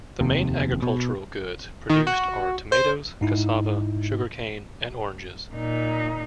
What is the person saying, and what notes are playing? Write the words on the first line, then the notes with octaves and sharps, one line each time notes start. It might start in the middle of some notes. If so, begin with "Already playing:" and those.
The main agricultural goods produced are tomatoes, cassava, sugarcane and oranges.
F1 D#2 C3
B2
D#3
F#4
C5
G#2 D#4 E4
A#2 D#4